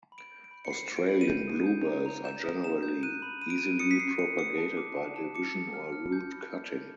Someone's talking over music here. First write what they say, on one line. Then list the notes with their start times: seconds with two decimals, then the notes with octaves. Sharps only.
Australian bluebells are generally easily propagated by division or root cutting.
0.12 B5
0.18 D7
0.32 G6
0.44 D7
0.51 B5
0.65 C#7
0.70 B5 C7
0.89 B5
0.97 D7
1.09 B5
1.21 D#7
1.28 G6
1.47 D#6
1.66 G6
1.87 A#5
2.06 A#5
2.24 G6 E7
2.44 D#6
2.64 A#5 E7
2.83 G6
3.03 F#6 D#7
3.22 B5
3.42 B5 D#7
3.50 D7
3.58 B5 D#7
3.79 D#6 C#7
3.91 B6
3.99 D#6 C7
4.19 D#6 C#7
4.38 D#6 C#7
4.58 A5
4.77 D6
4.97 A5
5.16 A5
5.35 D6 C#7
5.55 D6
5.74 F6
5.92 F6
6.12 G6
6.32 B5
6.51 G6
6.71 G6